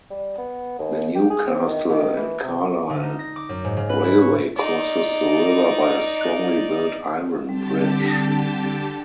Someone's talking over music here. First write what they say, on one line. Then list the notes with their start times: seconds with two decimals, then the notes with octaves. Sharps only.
The Newcastle and Carlisle Railway crosses the river by a strongly built iron bridge.
0.10 G3
0.38 B3
0.79 D#2
1.16 G4
1.30 G#4
1.47 C4
1.67 D#3
1.90 D#3
2.16 E3
2.43 C3
2.90 D3
3.03 D#4
3.19 A#6
3.36 D6
3.49 F#2
3.65 G#2
3.77 C#3
3.89 B4
4.04 E4
4.21 C#6
4.57 D#4 D5
7.49 D3 G3 C4 G4 A5